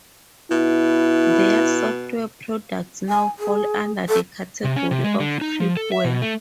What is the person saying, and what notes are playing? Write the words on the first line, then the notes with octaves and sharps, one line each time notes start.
Their software products now fall under the category of crippleware.
B2 E4
G#5
G#4
A4
C3
C#4
C3
G#3
D3
D#4
F3
A4
E5
B2
A3